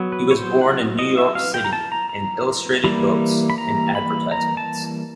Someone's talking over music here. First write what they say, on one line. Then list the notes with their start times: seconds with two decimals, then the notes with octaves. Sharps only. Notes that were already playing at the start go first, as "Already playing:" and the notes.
He was born in New York City and illustrated books and advertisements.
Already playing: F#3 B3
0.12 B4
0.31 C#5
0.36 C5
0.61 F#5
0.99 D#5
1.17 E5
1.35 F5
1.54 G5
1.64 A#5
1.73 A5
1.92 A#5
2.09 A#5
2.84 E3 G3 A#3 B5
3.50 B5
3.58 A#5
3.95 B5
4.32 A#5
4.57 A5